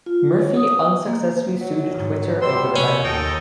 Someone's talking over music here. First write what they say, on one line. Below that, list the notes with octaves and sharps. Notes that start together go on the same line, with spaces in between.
Murphy unsuccessfully sued Twitter over the ban.
F4
C#5
D#6
A#3
F#3
G#2
G3 C6 E6
C3 C#4 B4 E5
D#2 A4 D#5 G5